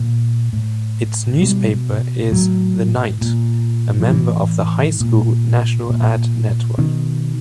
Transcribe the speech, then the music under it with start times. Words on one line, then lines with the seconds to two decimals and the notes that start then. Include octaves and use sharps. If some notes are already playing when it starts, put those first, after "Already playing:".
Its newspaper is The Knight, a member of the High School National Ad Network.
Already playing: A#2
0.53 A2
1.42 B2 G3
2.32 A2 F#3
3.21 A#2
4.00 F3
4.10 A2 E3
5.00 A#2
5.90 A#2
6.78 B2 D#3